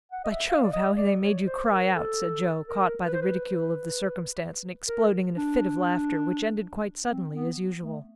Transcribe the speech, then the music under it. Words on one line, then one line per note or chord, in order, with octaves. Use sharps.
"By Jove, how they made you cry out!" said Joe, caught by the ridicule of the circumstance, and exploding in a fit of laughter which ended quite suddenly, as usual.
F#5
D#5
E5
F5
D5
D#5
D5
C#5
C5
A#4
A4
A#4
B4
C5
B4
A#4
D4
C4
B3
A3